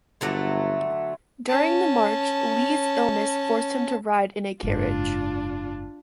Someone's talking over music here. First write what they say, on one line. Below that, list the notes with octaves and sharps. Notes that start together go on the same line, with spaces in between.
During the march, Lee's illness forced him to ride in a carriage.
G1 D3 F#3 A3
C#4 A5
F#1 G#2 D4 F4